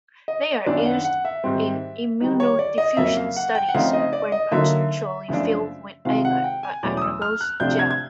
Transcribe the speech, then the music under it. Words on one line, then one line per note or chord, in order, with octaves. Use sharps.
They are used in immunodiffusion studies when partially filled with agar or agarose gel.
D#5
F#2 D#3 F#3 B3 D4 D5
F5
F#5
F#5
E5
G#2 D#3 G3 C4
D#3 G3 B3 D#4
C#5
D5
D#5
F2 C#3 F#3 A#3 E5
F5
F#5
G5
F#5
C#3 F3 A3 C4 D#4 F5
D#5
D5
D#5
D3 F#3 A#3 D#4 E5
F#2 C#3 F3 A3 D4
C3 D#3 G#3 C4 F4 F5
F#5
G5
G#5
E2 B2 F#3 A3 C#4 D6
D#6
E6
F6
F#6
C3 F3 A3 D4 G6
G#6
G#6